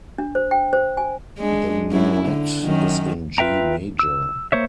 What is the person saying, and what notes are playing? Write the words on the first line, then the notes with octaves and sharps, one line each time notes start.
The minuet is in G major.
D4
C5
G5
C5
G#5
G#3 D4
F#2 E4
D3
F#2 D#3
F4 B4 E5 G5 A#5
E6
A#3 C5 C#5 E5